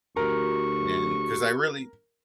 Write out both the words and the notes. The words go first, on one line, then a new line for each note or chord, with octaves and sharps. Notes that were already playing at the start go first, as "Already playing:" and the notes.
and 'cause I really
D2 F#4 G4 A#4 C#6